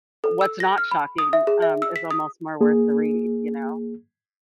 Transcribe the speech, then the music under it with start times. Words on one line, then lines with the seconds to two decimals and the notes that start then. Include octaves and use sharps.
what's not shocking, um, is almost more worth the read, you know?
0.24 A4
0.41 E6
0.60 A#6
0.78 F6
0.91 B5
1.18 D#6
1.33 E5
1.47 G#4
1.62 E5
1.82 E6
1.96 B6
2.11 D#6
2.61 A#3 G#4